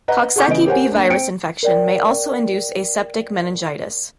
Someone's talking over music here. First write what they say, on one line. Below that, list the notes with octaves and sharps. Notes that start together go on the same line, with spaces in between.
Coxsackie B virus infection may also induce aseptic meningitis.
B4 D#5 F#5 A#5
G#4 A4 F#5 C#6 D6 G6
C#3 E3 B3 D#5 D7
G4 A#4 C5 C#5 F#5 G#5
A#3 D4
C4 G5 C#7 D7
A#4 D5 G5